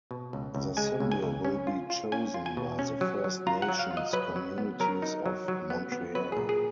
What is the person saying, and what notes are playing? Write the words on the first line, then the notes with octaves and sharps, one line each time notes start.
The symbol will be chosen by the First Nations communities of Montreal.
B2
C#2
C#2
G#3 G#5
C#2
G#5
C#2
C#4
F4
F4
C#4 G#5
F4
G#5
B2
C#4
F#3
F#3
F4 A#5
F#5
F#3
F5
F4
D#5
F#3 B4
F#3
B3
F#3 A#4
D#4
F#3
F#3
B3
B3
F#3 B4
A#2 G#4
G#4